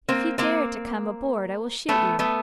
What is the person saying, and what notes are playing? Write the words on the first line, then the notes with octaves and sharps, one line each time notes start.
If you dare to come aboard I will shoot you.
A#3 C4
A#3 C4
A3 B3
A3 B3